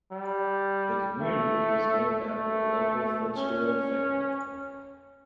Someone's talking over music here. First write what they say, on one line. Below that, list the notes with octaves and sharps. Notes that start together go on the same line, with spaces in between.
The community was named after the local Fitzgerald family.
G3
A3
A3
C#4